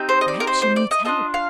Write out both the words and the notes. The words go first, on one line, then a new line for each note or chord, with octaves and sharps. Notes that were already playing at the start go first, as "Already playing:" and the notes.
"Perhaps she needs help."
Already playing: C4 D#4 G4
C5
D#5
D5
A#4
C5
C5
D5
D#5
D4 F4 A4 D#5
F5